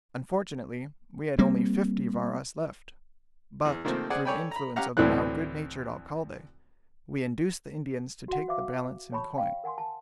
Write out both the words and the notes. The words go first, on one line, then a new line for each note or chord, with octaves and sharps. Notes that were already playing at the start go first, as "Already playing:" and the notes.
Unfortunately we had only fifty varas left; but, through the influence of the now good-natured alcalde, we induced the Indians to take the balance in coin.
G3 A#3 C4
E2
C3 D#3 F3 A3 A#3 C4
C4 G#4 D5 F#5 G#5
A4 C#5 D5 G5 G#5 B5
A#5 B5
C#4 G4 F5 F#5 A#5
D2 A2 E3 C4 F#6
F#4 F#5
C5 E5 F5 D6
C#5 A5 B5 C#6
F5 G5
A#4 F#5 G#5 C6
A5